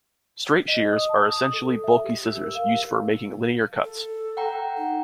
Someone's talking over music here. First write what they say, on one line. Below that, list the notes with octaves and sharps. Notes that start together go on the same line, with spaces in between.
Straight shears are essentially bulky scissors, used for making linear cuts.
D#5
D#6
A5
D#6
A4
E5
G4
E6
A#4
F5
A4
F#5 G5 A#5
D#4